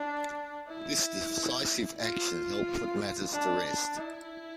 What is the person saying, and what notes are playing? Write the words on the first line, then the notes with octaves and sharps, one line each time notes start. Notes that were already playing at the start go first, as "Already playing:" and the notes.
This decisive action helped put matters to rest.
Already playing: D4
E4
F4
D4
D4
E4